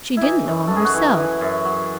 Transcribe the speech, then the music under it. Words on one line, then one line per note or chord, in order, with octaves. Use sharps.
She didn't know 'em herself.
E4
E3 D#4
F#2
F#2 A4
G#4
F#4
E3 E4
E3
F#2
F#3